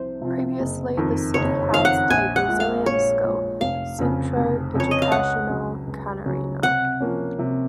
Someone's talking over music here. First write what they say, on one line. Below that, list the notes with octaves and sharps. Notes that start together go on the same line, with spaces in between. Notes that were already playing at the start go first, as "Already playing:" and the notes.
Previously the city housed a Brazilian school, Centro Educacional Canarinho.
Already playing: C2 C3 F3 C5
C3 F3 C4 F4
F#1
F2 D#3
F#1 C#5
F2 D#3 F5
F#5
A#1 G#5
F#5
A#2 G#3
F5
A#1 C#5
A#2 G#3
F1 F5
F2 C#3
F1
F2 C#3 C#5
D#5
F5
C#2 F#5
C#3 F#3
C#2
C#3 F#3
C3 F#5
F3 A#3 C#4
C3